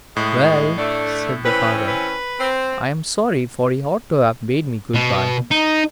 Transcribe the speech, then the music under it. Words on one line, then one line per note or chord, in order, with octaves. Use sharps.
"Well," said the father, "I am sorry; for he ought to have bade me good-bye."
A2 G#3
A3 D4
E3 C4 C#4 B4
B4
C4
B2
D#4